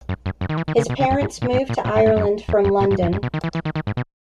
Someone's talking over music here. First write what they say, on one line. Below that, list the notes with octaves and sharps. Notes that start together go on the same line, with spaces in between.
His parents moved to Ireland from London.
F#2
F#2
F#2
D#3
E3
D#3
C#3
B2
C#3
F#2
G#2
A#2
G#2
A#2
A#2
G#2
G#2
F#2
E2
F#2
A#2
G#2
F#2
F#2
B2
D#3
E3
E3
D#3
D#3
G#2
B2